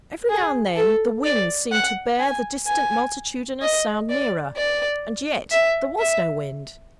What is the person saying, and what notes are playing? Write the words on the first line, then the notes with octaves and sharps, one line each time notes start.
Every now and then, the wind seemed to bear the distant multitudinous sound nearer; and yet there was no wind!
G#4
A4
D5
F#5
G#5
G#5
D#5
D5
D5
E5
E5